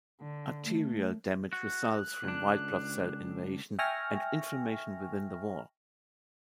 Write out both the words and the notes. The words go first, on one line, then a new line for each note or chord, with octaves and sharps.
Arterial damage results from white blood cell invasion and inflammation within the wall.
D3
A3
F#4 F#6
C#2 D4
E5 G5 G#5 C#6 F6 A#6